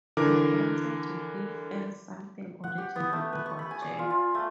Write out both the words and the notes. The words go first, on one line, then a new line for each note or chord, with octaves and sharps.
I wanted to give fans something original about Jack.
D3 E3 A#4 D6
F#5
G4
B3
A3
B4
C#6
B5
G#5
D5
F4
F4
A3